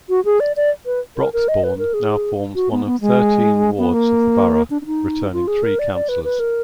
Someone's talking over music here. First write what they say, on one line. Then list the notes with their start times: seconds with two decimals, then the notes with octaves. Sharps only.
Broxbourne now forms one of thirteen wards of the borough, returning three councillors.
0.09 F#4
0.25 G#4
0.40 D5
0.56 D5
0.86 B4
1.17 A#4
1.33 A#4
1.48 D#5
1.64 B4
1.78 A#4
1.94 G#4
2.55 F#4
2.72 B3
2.86 B3
3.01 G#3
3.78 B3
3.93 A#3
4.70 D4
4.82 D4
4.86 D#4
5.33 F4
5.47 G#4
5.63 A#4
5.79 D5
5.94 D5
6.09 B4
6.24 B4
6.40 A#4